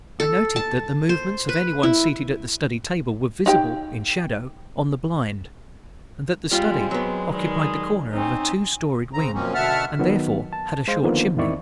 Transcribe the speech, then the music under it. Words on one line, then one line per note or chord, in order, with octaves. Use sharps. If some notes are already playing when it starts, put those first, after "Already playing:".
I noted that the movements of anyone seated at the study table were visible, in shadow, on the blind, and that the study occupied the corner of a two-storied wing and, therefore, had a short chimney.
A4
A5
C5
B4
E4
D#4 G4 G5
G3 G#3 C4 F4
F#3 B3
D#3 G3 G#3
C4 C#4 D#4
C#3 C4 A#5
F#2 B2 F3 A#3 C4 C#4
B2 D3 E5 F#5 A5 F6
D#3 F#3 B3
A5
G#3 C5 F5
D3 D#3 F3 A#3 B3
E2 D#3 C4 E4 D5 C#6